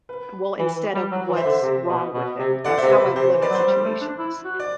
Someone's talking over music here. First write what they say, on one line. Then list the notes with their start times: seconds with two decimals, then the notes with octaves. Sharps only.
Well, instead of what's wrong with them. That's how I look at situations.
0.09 B4
0.59 E3
0.77 E3
0.95 G3
1.12 F#3
1.29 E3
1.36 C5 E5
1.45 D3
1.63 C3
1.89 B2
2.14 B2
2.39 C3
2.64 D3 D5 F#5
2.77 C3 C5 E5
2.90 B4
2.99 C3
3.16 C3 C5
3.33 E3
3.42 B4 D5
3.50 F#3
3.55 C5
3.67 G3
3.85 A3
4.01 D4
4.19 E4
4.45 F#4
4.60 D5